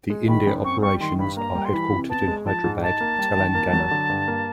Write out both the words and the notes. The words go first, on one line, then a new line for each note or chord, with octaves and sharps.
The India operations are headquartered in Hyderabad, Telangana.
G#3
D#3 B5
F#2
C4 C#6
G3 C#6
D#3 C6
G2 B5
A#3 A#5
G3
C6
E3 B5
C3
B3 A5
G#3
F3 A5
G#2
D#4 A5
A#3
G3
D#3
A#3
F#3
D3
G2
A#3